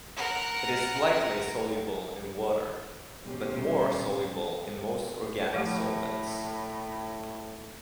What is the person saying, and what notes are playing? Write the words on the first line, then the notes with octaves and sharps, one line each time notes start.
It is slightly soluble in water, but more soluble in most organic solvents.
A#4 F#5
D#1 B2 G3 C#4 G4 C5
A2 F3 A3 G4